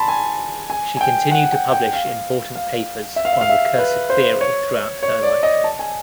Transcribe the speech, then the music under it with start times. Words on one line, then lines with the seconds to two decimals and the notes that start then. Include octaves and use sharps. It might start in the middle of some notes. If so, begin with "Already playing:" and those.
She continued to publish important papers on recursive theory throughout her life.
Already playing: A5 B5 C6
0.08 G#5
0.70 G#5
0.97 G#5
1.01 G5
1.31 F#5
1.52 G5
1.72 G5
1.93 F5
2.55 F5
3.16 E5
3.25 F5
3.33 E5
3.41 F5
3.49 E5
3.79 B4
4.10 C5
4.41 C#5
5.03 C#5
5.23 D5
5.43 D#5
5.64 A5
5.79 G#5